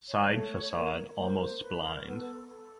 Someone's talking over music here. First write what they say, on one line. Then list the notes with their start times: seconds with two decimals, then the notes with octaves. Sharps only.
Side facade almost blind.
0.08 C#5
0.31 A3
0.75 A#3
1.19 A#3 C5
1.40 C5
1.62 B4
1.78 B4
1.84 A#4
2.06 B3 A4
2.51 A4